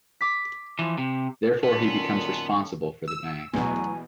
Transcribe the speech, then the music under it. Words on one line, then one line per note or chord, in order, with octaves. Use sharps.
Therefore, he becomes responsible for the bank.
D6 B6
E3 F3
C3
F#2 A#2 D#3 B3 C#4 A4 A5 C6
E6
E2 B2 F#3 A3 E4 G#5